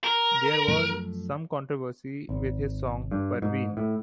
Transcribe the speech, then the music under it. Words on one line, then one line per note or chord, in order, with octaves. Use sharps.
There was some controversy with his song "Parveen".
A#4
F#2 F3 A3
G#1
G2
G#2
A2